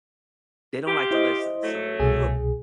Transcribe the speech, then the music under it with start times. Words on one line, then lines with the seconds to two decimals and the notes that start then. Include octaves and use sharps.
they don't like to listen. So if you a
0.87 C4 F4 G4
1.11 E4 C5 D#5
1.63 F#3 A3
2.00 C2 B2 G#4